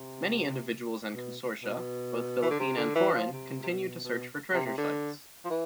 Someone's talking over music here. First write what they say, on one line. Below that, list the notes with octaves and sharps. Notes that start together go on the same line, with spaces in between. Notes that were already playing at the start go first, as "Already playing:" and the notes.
Many individuals and consortia, both Philippine and foreign, continue to search for treasure sites.
Already playing: C3
B2
B2
E3
D3
C3
D3
E3
F3
C3
C3
B2
B2
C3
C3
D3
F3
E3